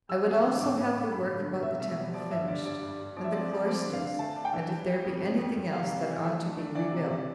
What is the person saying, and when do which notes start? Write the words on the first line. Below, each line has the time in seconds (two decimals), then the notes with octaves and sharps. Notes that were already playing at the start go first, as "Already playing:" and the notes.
I would also have the work about the temple finished, and the cloisters, and if there be any thing else that ought to be rebuilt.
0.09 G3 E6
0.26 E2
0.44 D3
0.60 A2 D6
0.78 A2
0.94 A2
1.12 G2 B5
1.29 D3
1.46 G2
1.62 B2 E5
1.80 B2 E5
1.97 G3
2.14 F3 D5
2.31 G2 E5
2.48 D3 D5
2.65 G2 D5
2.83 G2
2.99 G2
3.17 F3 D5
3.24 E5
3.33 C4 D5
3.51 F3
3.68 C4 D5
3.85 D3
3.93 F5
4.02 D3
4.19 A3 A5
4.36 D4
4.45 G5
4.53 E3
4.70 G3
4.87 G3
5.04 F2
5.21 F2
5.38 F2
5.56 F2
5.73 C3 F5
5.90 G3
6.07 E3
6.24 A3 E5
6.41 D4
6.58 D4
6.75 E3 D5
6.92 C3